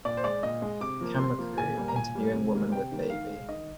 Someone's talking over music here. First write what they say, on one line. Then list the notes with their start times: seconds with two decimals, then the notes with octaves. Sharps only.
Camera crew interviewing woman with baby.
0.05 A#2 D5
0.17 C5
0.24 G#3 D5
0.43 A#2 D#5
0.62 G#3
0.81 C3 D6
1.01 F3 A#3
1.19 C3 C6
1.38 F3 A#3
1.58 A#2 G#5
1.77 G3 A#3
1.88 A#5
1.95 A#2 G#5
2.15 G3 A#3
2.34 C3
2.53 D#3 G3 A#3
2.72 C3 G5
2.91 D#3 G3 A#3
3.10 D#3 F5
3.30 G#3
3.49 D#3 D#5